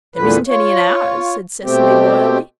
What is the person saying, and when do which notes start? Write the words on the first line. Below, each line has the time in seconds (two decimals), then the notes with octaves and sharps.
"There isn't any in ours," said Cecily loyally.
0.16 E2 A#2 D3 B4
0.48 F4 C#5
1.63 B2 A3 C4 G4